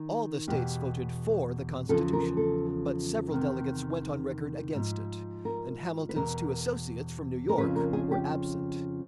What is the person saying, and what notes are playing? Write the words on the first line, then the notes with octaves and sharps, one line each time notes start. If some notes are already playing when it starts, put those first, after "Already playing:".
All the states voted for the Constitution, but several delegates went on record against it, and Hamilton's two associates from New York were absent.
Already playing: D#3
E2 B2 G4
E2 C#3 F3 A4
A#4
A4
E2 C3 D#3
G#2 F3
A#4
B4
E2 B2 A#4
A#4
F2 C#3 F3 B4
A#4
G#4
G4